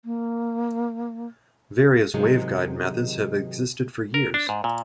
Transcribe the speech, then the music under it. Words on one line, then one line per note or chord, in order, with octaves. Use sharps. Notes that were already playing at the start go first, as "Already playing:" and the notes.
Various waveguide methods have existed for years.
A#3
G#2 C3 D#3 F#3 G#3
A#4
D4
G#2
A#2